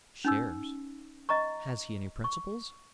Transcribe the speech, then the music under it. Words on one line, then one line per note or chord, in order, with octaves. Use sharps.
Shares. Has he any principles?
C#4 D#4 E6
D#5 A#5 C#6
C#6